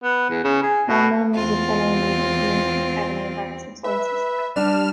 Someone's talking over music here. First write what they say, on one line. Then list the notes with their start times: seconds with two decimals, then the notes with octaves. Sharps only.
Lanman was a Fellow in the American Academy of Arts and Sciences.
0.04 B3
0.30 E2
0.44 C#3
0.63 G#4
0.88 B2
1.35 E2 C4 F4
3.84 B4 E5
4.56 G3 D4 F6 E7